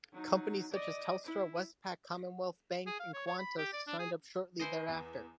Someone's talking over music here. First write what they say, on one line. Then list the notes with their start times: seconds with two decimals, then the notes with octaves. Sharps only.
Companies such as Telstra, Westpac, Commonwealth Bank, and Qantas signed up shortly thereafter.
0.12 F#3 D#4
0.72 D5 D#5
1.24 E4
2.86 G#4
3.00 F5
3.13 C#5
3.26 C#5
3.39 B5
3.57 G4
3.73 D5
3.87 D4
3.99 G#4
4.60 E4 B4 C5 D#5 G#5
4.88 E2